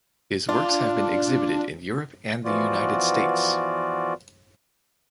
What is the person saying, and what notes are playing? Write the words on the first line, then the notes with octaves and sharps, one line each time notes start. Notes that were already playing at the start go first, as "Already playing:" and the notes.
His works have been exhibited in Europe and the United States.
D4 F4
E3 F3 B3 F4 F#4 D5